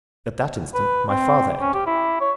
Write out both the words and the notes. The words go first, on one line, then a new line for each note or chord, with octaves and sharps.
At that instant my father entered.
B4
C4
C#4
G4
E4
C#5